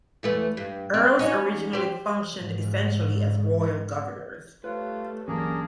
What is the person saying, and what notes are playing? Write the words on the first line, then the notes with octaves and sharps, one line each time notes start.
Earls originally functioned essentially as royal governors.
E2 A3 B4
G2
C4
C#4 D#4 F#4
G4 C5
G#2 C#3
G3 A3 F4 B4 C#5
G1 E3 F#3 A#3 C#4 D4 G#4 A#4